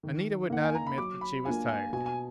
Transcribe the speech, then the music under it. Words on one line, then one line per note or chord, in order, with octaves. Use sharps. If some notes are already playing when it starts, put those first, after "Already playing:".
Anita would not admit that she was tired.
D#3
A#3 D#4 F#5
G#5
A#5
B5
F#3 D6
B5
A#3 D4 F4 G#5
G#5
B2 G#5
G#5